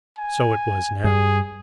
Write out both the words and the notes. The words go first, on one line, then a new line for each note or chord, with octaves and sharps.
So it was now.
G#5
G2 G3 G#4